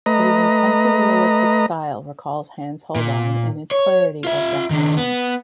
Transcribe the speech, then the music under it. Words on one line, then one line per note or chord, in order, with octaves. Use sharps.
Its intensely realistic style recalls Hans Holbein in its clarity of definition.
A3 B4 D#5 A#5
A#2
C#5
F4 E5
D#3 D4
B3